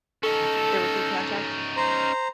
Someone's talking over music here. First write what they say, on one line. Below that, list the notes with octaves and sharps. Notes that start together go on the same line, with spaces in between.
their rookie contract?
C#4 D#4 A4
C5 A#5